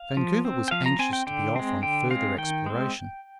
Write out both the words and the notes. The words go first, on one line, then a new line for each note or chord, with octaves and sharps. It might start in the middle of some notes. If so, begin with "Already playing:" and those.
Vancouver was anxious to be off on further exploration.
Already playing: F5
F3
C4
G5
F3 F5
A#5
C4 G#5
G5
D3 G5
G#3 C4
D3 G5
G#3 C4 F5
D#3 G5
G#3 C4